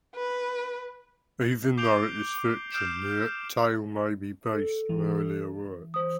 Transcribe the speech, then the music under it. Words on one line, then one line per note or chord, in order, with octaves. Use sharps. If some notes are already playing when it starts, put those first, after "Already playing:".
Even though it is a fiction, the tale may be based on earlier works.
B4
D6 G6 C7 D7 F7 G7
D#6 F6 G6 C7 D7 E7
A4
E3
C5 D#6